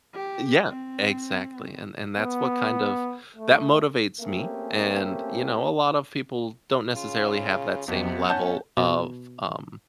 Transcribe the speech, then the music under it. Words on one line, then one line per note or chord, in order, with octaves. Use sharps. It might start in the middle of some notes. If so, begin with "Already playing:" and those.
Yeah, exactly, and and that's what kind of that motivates me and, you know, a lot of people don't necessarily have that same level of, um,
G4
C4
B3
A3
A3 A#3 C4 C#4 G4 G#4
C#3 F4
F2 C3 B3
C#4 F#5 A5 G6
B2